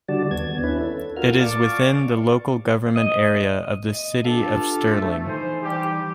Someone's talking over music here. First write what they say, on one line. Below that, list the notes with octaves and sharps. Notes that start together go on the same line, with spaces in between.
It is within the local government area of the City of Stirling.
D3 G3 F#4 D5 A5
D#2 B3 G#6
C#4 D4 E4 B4
A4
F4 F#4 A#4 F6
D5 F5 A5 C#6 D6
D#5
D#5
D4 F4 G4 A4 B4 F5
A3
E3 D#4 C5 G#5
G3 G4